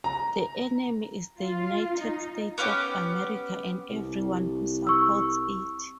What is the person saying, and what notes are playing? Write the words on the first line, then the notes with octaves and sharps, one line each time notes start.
The enemy is the United States of America and everyone who supports it.
A#5
F4
D#4
B3 C#4 E4 G4
C2
C#6 E6